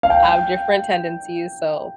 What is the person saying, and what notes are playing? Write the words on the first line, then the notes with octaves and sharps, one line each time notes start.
have different tendencies, so,
F5
G5